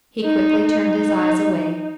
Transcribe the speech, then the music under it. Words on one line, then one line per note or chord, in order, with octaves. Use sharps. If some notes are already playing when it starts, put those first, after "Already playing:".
He quickly turned his eyes away.
D#4
D#4